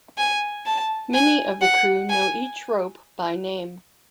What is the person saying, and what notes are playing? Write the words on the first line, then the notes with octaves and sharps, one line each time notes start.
Many of the crew know each rope by name.
G#5
A5
G#5
F#5
G#5